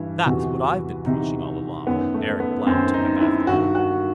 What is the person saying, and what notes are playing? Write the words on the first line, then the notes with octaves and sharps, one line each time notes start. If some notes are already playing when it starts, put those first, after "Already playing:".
"That's what I've been preaching, all along," Eric Blount took up after him.
Already playing: G2 E3
E2 C3 E3 F#4
E2 C3 E3 D#4
F#2 D#3 B3
A3
B3
F#2 D#3 C4
D#4
E4
G2 D#3 F#4
F#4